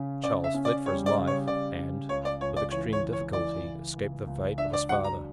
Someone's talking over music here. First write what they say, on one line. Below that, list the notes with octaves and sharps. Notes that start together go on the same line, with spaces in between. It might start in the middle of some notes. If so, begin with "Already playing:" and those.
Charles fled for his life, and, with extreme difficulty, escaped the fate of his father.
Already playing: C#3 C#4
C#3 D5
E5
C#4
D5
G3 C#5
D5
C#3
C#5
C#3 D5
C#3
C#2 C#5
D5
C#2 C#5
D5
E3 C#5
C#5
E3
C#5
E3 D5
C#2
C#2
C#2
D4 E5
D5
F#3 F#5
A#5